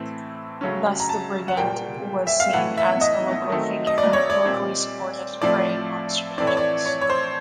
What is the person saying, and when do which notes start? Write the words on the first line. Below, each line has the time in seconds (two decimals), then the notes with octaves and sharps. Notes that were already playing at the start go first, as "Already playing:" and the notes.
Thus the brigand was seen as a local figure, locally supported, preying on strangers.
Already playing: A2 E3 A3 C4
0.61 C#3 F#3 A3 C#4
1.00 A#5
1.09 A5
1.48 F#5
1.57 A#2 G3 A#3 G5
2.27 E5
2.40 F5
2.53 A2 E3 A3 F#5
2.77 E5
3.01 D#5
3.49 D#3 F#3 A3 C4
3.87 D#5
3.98 D5
4.13 C#5
4.30 D5
4.45 A#2 G3 C4
5.42 A2 F3 A3 C4 D5
6.38 A2 E3 A3 C4 D5
6.47 C#5
6.57 D5
6.86 C#5
7.01 C#5
7.10 C5